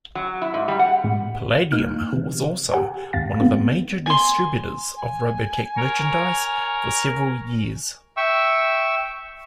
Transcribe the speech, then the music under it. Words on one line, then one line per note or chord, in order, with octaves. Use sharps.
Palladium was also one of the major distributors of "Robotech" merchandise for several years.
F#3
E4
G#2
G3
F#5
A2 G#3
A#3 D#4 F6
C3 E3
G4 F#5 G#5
G#1 D2 G2 F5 A6
G#3 B3 C4
G#5 C6
G#5
A#4 C#5
E5 G5 C#6 E6